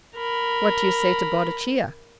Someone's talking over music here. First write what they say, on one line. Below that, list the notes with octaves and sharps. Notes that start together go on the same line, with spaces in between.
What do you say to Boadicea?
A#4 B5